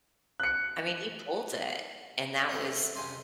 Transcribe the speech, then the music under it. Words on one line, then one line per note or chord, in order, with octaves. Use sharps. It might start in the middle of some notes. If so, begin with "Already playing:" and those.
I mean, he pulled it, and that was
F#6 C#7
A3 C4 C#4
C#2 C3 G#5 C6